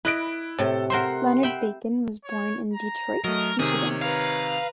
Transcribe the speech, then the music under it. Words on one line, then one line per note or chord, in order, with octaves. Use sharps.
Leonard Bacon was born in Detroit, Michigan.
E4 B4 D#5 F#6 D7
A2 C3 A4
A#4 C5 E5 F#5 C6
E5 G5 B5
C#5
A#5
F#3 A3 A#4 D#5
C3 D#3 G#4 C#5
B4 F5 A#5